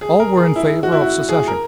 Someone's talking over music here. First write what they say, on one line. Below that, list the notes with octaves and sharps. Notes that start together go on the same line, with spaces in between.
All were in favor of secession.
G#4
A#4
G#4
E4
F#4
E4
F#4
G#4
A#4